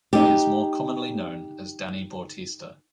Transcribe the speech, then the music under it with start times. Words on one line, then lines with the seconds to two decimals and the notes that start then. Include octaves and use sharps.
He is more commonly known as Danny Bautista.
0.13 D#4 G4